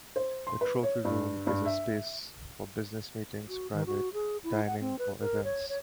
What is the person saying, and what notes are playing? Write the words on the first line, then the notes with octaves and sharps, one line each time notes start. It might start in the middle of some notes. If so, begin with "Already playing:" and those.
The Trophy Room is a space for business meetings, private dining or events.
C5
C6
B4
C#5
G2
G2
E5
F#4
D#3
F#4
G#4
E4
F#5
C4
B4
A#4
C#5
C#5